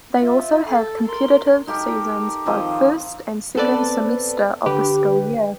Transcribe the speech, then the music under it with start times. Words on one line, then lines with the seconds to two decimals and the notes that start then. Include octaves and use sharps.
They also have competitive seasons both first and second semester of the school year.
0.20 F4 E5
0.67 A4
1.06 A#4 C6
1.67 D#4 G4 A4 A#4
2.46 D#3 F3 C4 D#5
3.56 B3 C4 A4 B4 D5
4.66 D3 G4 B4